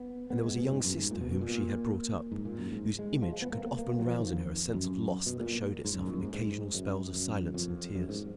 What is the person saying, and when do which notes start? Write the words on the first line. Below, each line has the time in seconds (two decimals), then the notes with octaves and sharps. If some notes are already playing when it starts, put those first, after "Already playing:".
And there was a young sister whom she had brought up, whose image could often rouse in her a sense of loss that showed itself in occasional spells of silence and tears.
Already playing: B3
0.30 B3
0.43 G#3
0.58 B2
0.71 G#2
0.84 F#2
0.98 G#2
1.11 A#2
1.21 B2
1.31 B2
1.41 A#2
2.32 G#2
2.45 A#2
2.58 F#2
2.72 G#2
2.99 G#3
3.22 F3
3.32 G#3
3.42 B3
3.53 A#3
3.66 B3
3.79 A#3
3.98 F#3
4.06 F3
4.20 D#3
4.32 F2
4.73 F#2
5.26 B2
5.40 A#2
5.85 G#2
5.94 F#2
6.07 A#2
6.16 F#2
6.21 G#2
6.34 G#2
6.74 F#2
7.14 F#2
7.54 F2
7.95 F#2
8.09 G#2